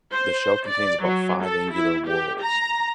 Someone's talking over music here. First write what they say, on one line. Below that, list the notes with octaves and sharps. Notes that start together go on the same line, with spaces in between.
The shell contains about five angular whorls.
C5
D5
F#3
A4
E4
G4
A#5